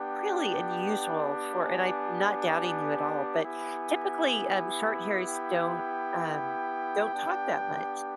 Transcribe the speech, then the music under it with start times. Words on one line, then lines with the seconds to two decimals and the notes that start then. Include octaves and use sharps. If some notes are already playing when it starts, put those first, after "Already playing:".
really unusual for and I'm not doubting you at all, but, typically, um, shorthairs don't, um don't talk that much,
Already playing: B3 D4 G4 G5
1.59 G#5
3.43 B3 E4 G4 G#5
5.28 G5
7.13 B3 D4 G4